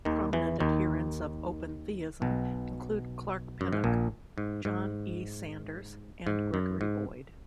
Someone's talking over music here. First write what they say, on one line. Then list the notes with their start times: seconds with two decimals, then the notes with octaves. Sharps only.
Prominent adherents of open theism include Clark Pinnock, John E. Sanders and Gregory Boyd.
0.05 D#2 D#3
0.33 E2 E3
0.60 D#2 D#3
2.22 B1 B2
3.61 F#2
3.73 G#2
3.84 A#1 A#2
4.38 G#2
4.65 G#2
6.27 G#2
6.54 F#2
6.81 G#2